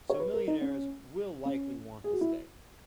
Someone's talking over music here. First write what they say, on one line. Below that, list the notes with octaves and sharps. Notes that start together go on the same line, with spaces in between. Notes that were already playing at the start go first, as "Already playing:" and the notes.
So millionaires will likely want to stay.
C#5
B4
A#4
D#4
C#4
C#4
G#4
F#4
E4